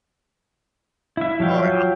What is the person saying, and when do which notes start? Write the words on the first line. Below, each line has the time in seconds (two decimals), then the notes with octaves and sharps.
Oh, yeah.
1.17 E4 E5
1.40 F3 F#3 F5 G5